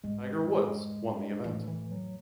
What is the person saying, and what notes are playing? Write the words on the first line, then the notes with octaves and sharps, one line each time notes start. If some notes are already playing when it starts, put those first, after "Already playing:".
Tiger Woods won the event.
G#2 G#3
A2 E3
E3
F#3